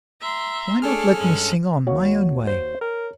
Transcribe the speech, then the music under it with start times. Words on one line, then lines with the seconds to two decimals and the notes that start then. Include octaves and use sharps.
Why not let me sing on, my own way?
0.21 E5 A#5 C6
0.82 A3 D4 G#4 A4 C#5 F6
1.16 G2 G#3 C#4
1.87 D#2 A#3 F#4 C#5
2.47 C5
2.81 A#4 G5